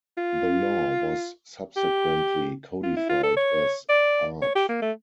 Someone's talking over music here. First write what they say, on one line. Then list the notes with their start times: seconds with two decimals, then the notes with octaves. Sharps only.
The law was subsequently codified as Art.
0.17 F4
1.76 G4
2.83 F4
2.96 E4
3.09 F4
3.23 A4
3.37 C#5
3.89 D5
4.42 C#5
4.55 G4
4.69 A#3
4.82 A3